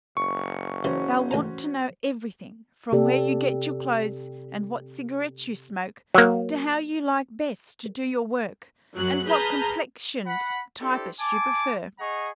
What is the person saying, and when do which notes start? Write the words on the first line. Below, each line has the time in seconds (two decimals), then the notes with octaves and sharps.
They'll want to know everything, from where you get your clothes and what cigarettes you smoke, to how you like best to do your work and what complexioned typist you prefer.
0.17 F#1 C#6
0.84 E3 C#4 F#4 C5
1.31 A1 G#5 A#5
2.92 C3 G4 A4 D5
6.14 F#3 A#3
8.96 F#2 F#3 F#6
9.27 G#4 B4 A5 A#5 F6 G6
10.26 F#5 B5
10.81 D4 E4 G4 A4 C5
11.20 G#5 A5 D6
11.99 G#4 D#5 F#5 A#5 C#6